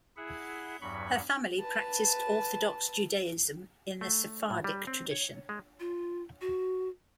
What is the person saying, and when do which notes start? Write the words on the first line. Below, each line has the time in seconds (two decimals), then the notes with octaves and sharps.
Her family practiced Orthodox Judaism in the Sephardic tradition.
0.17 E4 G#4 E5 F#5
0.81 E2 G2 F#3 B5 C#6
1.60 B4 A5
4.01 A3
4.50 A2
4.64 G3
4.87 C4
5.11 C#5
5.49 G#3
5.80 F4
6.41 F#4